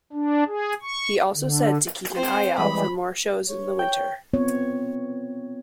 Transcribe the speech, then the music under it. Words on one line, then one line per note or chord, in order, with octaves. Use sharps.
He also said to keep an eye out for more shows in the winter.
D4
G#4
C#6
D3
C4 C5
E3 G3 G#3 B5
C#5
G5
B3 C4 F4 C#5